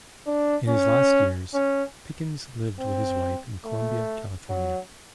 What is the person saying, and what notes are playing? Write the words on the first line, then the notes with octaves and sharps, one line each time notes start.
In his last years, Pickens lived with his wife in Columbia, California.
D4
C#4
C#4
C4
A3
F#3